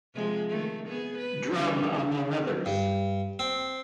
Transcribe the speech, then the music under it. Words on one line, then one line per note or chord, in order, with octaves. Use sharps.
Drum among others.
C3 F3 G#3
D#3 A3
B3 G#4
B4
D3 E3 G3
G2
C4